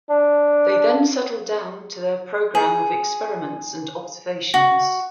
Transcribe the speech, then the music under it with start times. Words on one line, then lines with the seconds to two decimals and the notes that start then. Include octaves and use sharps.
They then settled down to their program of experiments and observations.
0.10 D4
2.55 G#4
4.54 F#4